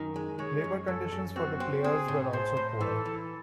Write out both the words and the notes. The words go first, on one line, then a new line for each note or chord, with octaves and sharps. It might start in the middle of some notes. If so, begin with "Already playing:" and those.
Labour conditions for the players were also poor.
Already playing: F#2 D#3
G#3
G#3 C#5
F#2
F#2 A4
F#2
C4 F#4
C4
C4 G#4
A2
A2 C5
A2
E3 A4
E3